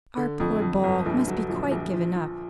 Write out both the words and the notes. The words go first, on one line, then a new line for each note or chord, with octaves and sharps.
"Our poor ball must be quite given up."
D3
F2
F2
G1
A#1
F#3
A#1
A#1
F3
F3